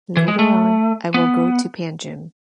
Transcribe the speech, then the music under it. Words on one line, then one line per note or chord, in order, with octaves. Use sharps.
Later on I will go to Panjim.
E3
G#3
A3
B3